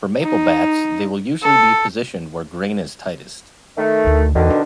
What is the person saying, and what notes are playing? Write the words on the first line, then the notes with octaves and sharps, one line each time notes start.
For maple bats they will usually be positioned where grain is tightest.
D#4
A4
D#3 A3
D2
E2 B2 D3 D#3
D4